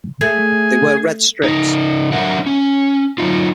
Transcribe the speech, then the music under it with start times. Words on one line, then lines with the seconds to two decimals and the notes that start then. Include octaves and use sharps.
They wear red strips.
0.21 A3 G#4
1.44 C#3 D#4
2.12 F#3 D4 A#4 E5 F#5
2.46 C#4
3.18 F#3 D#4 F4